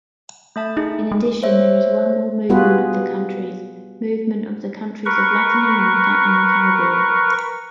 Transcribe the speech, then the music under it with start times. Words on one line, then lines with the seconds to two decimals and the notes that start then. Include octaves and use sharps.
In addition there is one more movement of the countries - movement of the countries of Latin America and the Caribbean.
0.56 A3 E5 A5
0.77 D#4 G#4
1.12 G#3
1.43 C5 C#5 E5
2.50 G3 B3 F4 F#4 G#4 B4
5.06 A#4 B4 C#6